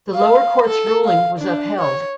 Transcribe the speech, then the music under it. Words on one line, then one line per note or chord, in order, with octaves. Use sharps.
The lower court's ruling was upheld.
F5
A4
F5
D4
C#5